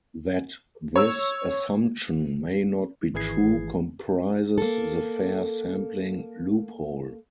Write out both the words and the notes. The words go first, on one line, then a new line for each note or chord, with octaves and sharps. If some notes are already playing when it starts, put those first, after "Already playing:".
That this assumption may not be true comprises the fair sampling loophole.
C#5 E6
G#1 E3 E4 G#4 G#6 C7
A#3 A4